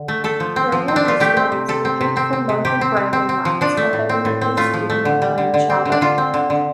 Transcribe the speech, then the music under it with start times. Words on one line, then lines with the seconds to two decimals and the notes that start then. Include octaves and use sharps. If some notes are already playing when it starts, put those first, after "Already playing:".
Area restaurants compete for local bragging rights for having the best area clam chowder.
Already playing: D3
0.08 A3
0.24 A3 A4
0.40 F3
0.56 C4
0.72 F3
0.88 C4
0.96 D4
1.05 A3 F4
1.20 A3 G4
1.37 C4
1.52 C3
1.68 C3 A4
1.85 C4
2.01 C3
2.17 C4
2.33 C4
2.49 C3
2.65 C3 G4
2.81 C4
2.97 C3
3.13 C4
3.29 C4
3.45 F3
3.61 F3 D4
3.77 A3
3.93 A2
4.09 C4
4.25 A2
4.41 C4
4.57 A3 F4
4.74 F3
4.90 A3
5.05 D3
5.22 G3
5.38 D3
5.54 D3
5.70 C4
5.85 D3
5.92 D4
6.01 D3 F4
6.18 C4
6.34 D3
6.50 D3